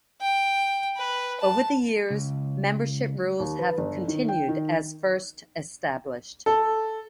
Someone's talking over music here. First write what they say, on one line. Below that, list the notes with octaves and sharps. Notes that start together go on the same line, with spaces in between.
Over the years, membership rules have continued as first established.
G5
B4
A5
C#2
D#2
B4
G1
D#3
G5
D#3
A4